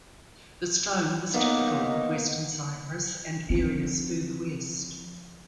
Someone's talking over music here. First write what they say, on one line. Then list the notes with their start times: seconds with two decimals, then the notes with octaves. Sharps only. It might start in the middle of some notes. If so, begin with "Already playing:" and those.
The stone was typical of western Cyprus and areas further west.
1.34 A#3 B3 D#4 D#5 F#5
3.50 F3 C4